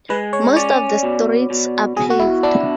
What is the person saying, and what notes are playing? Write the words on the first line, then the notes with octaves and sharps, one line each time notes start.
Most of the streets are paved.
G#3 B4
C#5
C#4 D5
B2
B2
B2 G#4
F#4
E4
D4 E4